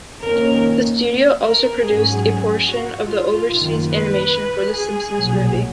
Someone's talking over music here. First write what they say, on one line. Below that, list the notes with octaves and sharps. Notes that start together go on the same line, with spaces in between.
The studio also produced a portion of the overseas animation for "The Simpsons Movie".
F2 D#3 A#3 C#4 A#4
A#4
G#2 F#3 C#4 G#4
F#4
F4
F#1 F#2 D#3
B4
G#4
B1 A#2 F#3